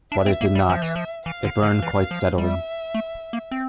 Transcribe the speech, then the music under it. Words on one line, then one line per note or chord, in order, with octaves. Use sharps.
But it did not: it burned quite steadily.
D4 E5
C4
A#3
G3
F3
E3
F3
E3 F5
D3
D3
E3
F3
G3 E5
A3
A#3
C4